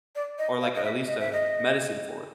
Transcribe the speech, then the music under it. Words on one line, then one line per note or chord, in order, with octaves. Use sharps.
Or, like, at least a medicine for it.
D5
D#5
F5
D#5
E5
D#5
E5
D#5